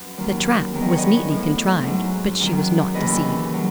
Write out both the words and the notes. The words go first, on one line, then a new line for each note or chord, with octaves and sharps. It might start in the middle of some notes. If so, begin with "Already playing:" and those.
The trap was neatly contrived, but she was not deceived.
Already playing: F#2 B4 D#5
D#2 D#3 F#3
E2 D#3 F#3
D#5
C#5
B4 D#5
A2 F#3
G#2 F#3
F#2 D#3 F#3
D#2 C#3 E3 B4 D#5
F#3